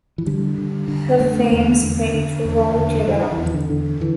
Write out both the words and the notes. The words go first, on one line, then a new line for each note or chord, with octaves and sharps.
Her fame spread throughout Europe.
E3
D3 G3
D3
D3
D3 A3
E2
D3
D3
E2
D3
D3 G3
E3
D3
E3
E2
E3
D3
D3
D3 E3